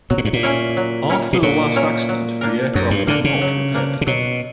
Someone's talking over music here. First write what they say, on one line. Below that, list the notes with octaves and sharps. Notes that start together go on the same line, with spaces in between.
After the last accident the aircraft was not repaired.
B2 F#3
A#2
G2
A#2
C#4 E4 A#4 C#5
F#3
C#4 E4 A#4 C#5
B2
A#2 F#3
C#4 E4 A#4 C#5
F#3
A#3 D4 A#4
F#2 F#3
G2
D3 A#3 D4 A#4
C#3
F#3
A#3 D4 A#4
C#3
B2 F#3